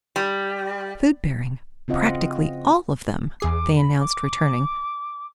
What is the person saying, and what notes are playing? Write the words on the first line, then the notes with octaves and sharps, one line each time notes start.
"Food-bearing, practically all of them," they announced returning.
G3
C#3 C4 F4 D#5 F#5
E2 G#4 D6 C7
B5
D6